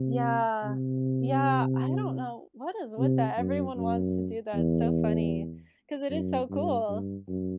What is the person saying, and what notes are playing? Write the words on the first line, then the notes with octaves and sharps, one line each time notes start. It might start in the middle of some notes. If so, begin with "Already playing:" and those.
Yeah. Yeah, I don't know what is with that, everyone wants to do that, it's so funny, 'cause it is so cool.
Already playing: C3
C3
C3
F#2
F#2
E2
F#2
G2
G2
F#2